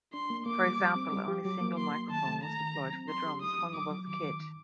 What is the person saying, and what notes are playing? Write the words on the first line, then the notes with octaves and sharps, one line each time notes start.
For example, only single microphone was deployed for the drums, hung above the kit.
D4 C6
A#3
A#3 D6
G3
G3
C4
G3
G4
F#3 D6
A#3
A#3 C6
F#3
D#3 A5
A3
D#3 A#5
D#3
F#3
C4
F#3 C6
G4
D#4 D#6
F#3
F#3 D6
F#3
D#3 D6
D#3
D#3